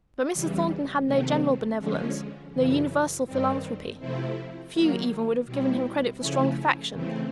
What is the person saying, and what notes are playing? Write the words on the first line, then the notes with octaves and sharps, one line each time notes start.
But Mr. Thornton had no general benevolence,--no universal philanthropy; few even would have given him credit for strong affections.
E2 C#3 E3 G3
C3 D#3 F#3 A3 C4
D3 F3 G#3 C#4
F#2 C#3 E3
G2 D#3 G3 C4
C3 F3 A3 C4 E4
D#3 F#3 A#3
B2 G3 C4 E4
C#3 F3 A3 C#4 E4
C#3 E3 A3 C4